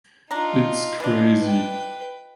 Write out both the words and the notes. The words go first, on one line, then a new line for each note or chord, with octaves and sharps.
It’s crazy.
D4 D#4 F4 A#5
E3 D4 F4 D#5
B4 G5